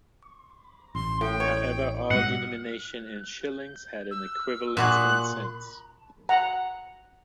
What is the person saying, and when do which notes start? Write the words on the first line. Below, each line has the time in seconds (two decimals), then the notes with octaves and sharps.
However, all denomination in shillings had an equivalence in cents.
0.95 A1 C6
1.21 A2 G5
1.40 C#5
2.11 G#2 B2 G3 D#5 F#5
4.11 E6
4.77 A#2 F#4 G#4 F#6
6.29 F#5 A#5